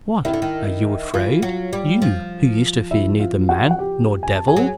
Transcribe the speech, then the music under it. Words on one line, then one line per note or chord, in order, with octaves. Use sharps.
"What! are you afraid,--you who used to fear neither man nor devil?"
D#3 E4 E5
D3
D#3
E3 F4 F5
F#3
G3
F3
E4 E5
F4 F5
F#4 F#5
F#5
G4 G5
G#5
A5
G#4 G#5
F#3